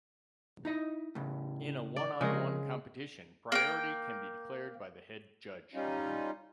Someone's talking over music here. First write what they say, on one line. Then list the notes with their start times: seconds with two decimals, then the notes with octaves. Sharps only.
In a one-on-one competition, priority can be declared by the Head Judge.
0.65 D#4 E4 D#5
1.15 A2 C#3
1.96 D5
2.21 C#3 F3 G#3 A#4
3.52 A#3 G5
5.74 G3 C#4 D#4 F4